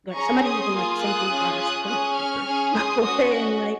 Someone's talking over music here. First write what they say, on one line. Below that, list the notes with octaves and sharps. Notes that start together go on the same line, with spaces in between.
but, somebody even, like, simply brought us toilet paper before and, like
C#4 G#4 A#5 C#6
C6 D#6
A#3 F4 G#4
D#6 F#6
C#4 F4 G#4
D#6 F#6
C#4 G#4 D#6 F#6
C#6 F6
C#4 G#4
C6 D#6
C#4 F#4 C6 D#6
D#5 F#5